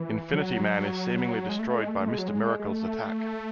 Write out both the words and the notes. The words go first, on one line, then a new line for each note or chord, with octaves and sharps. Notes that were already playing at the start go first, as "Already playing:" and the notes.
Infinity-Man is seemingly destroyed by Mister Miracle's attack.
Already playing: E3
F#3
G#3
A3
A3
G#3
A3
A3
G#3
F#3
G#3
G#3
A3